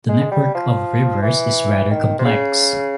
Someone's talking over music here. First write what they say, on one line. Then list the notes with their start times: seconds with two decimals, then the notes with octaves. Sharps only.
The network of rivers is rather complex.
0.09 G#3
0.31 G3
0.55 F3
1.22 E3
1.91 D#3
2.19 C3
2.25 C#3